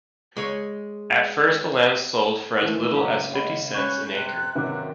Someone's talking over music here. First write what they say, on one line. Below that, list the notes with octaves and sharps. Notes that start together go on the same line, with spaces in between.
At first the land sold for as little as fifty cents an acre.
G#3 C#5
D#3 E3 A3
F#1 F#3 D4 F5 D6
G#3 C#5 F#5 B5
C#4 B5 C#6 F#6 G6
C3
G#1 F#2 C3 D#3 A#4 B4 D6